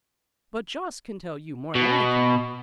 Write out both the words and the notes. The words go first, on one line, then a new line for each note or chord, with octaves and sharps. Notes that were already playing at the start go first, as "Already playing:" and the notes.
But Jost can tell you more than I can.
B2